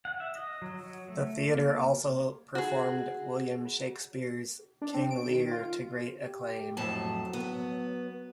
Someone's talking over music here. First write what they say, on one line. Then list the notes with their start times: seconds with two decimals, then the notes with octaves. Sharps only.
The theater also performed William Shakespeare's "King Lear" to great acclaim.
0.05 F#5
0.20 E5
0.35 D#5
0.62 F#3
0.81 F#3
1.08 A3
1.49 A#3
2.55 F#4 G#4
4.82 D4
4.94 C4
5.11 D7
5.28 D#3
5.51 F4
6.20 G4
6.77 F2 A2 F#3 A5
7.33 B3